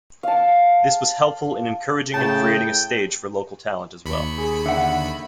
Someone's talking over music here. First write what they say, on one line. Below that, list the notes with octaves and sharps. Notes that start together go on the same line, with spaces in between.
This was helpful in encouraging and creating a stage for local talent, as well.
F5 A5
A2 C#3 G5 A5
D#2 B5 C#7
G#4
D3 E5 F#5